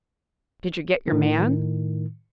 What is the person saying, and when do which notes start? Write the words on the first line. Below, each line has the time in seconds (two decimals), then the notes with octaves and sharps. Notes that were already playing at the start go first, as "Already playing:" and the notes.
"Did you get your man?"
1.08 A2 D#3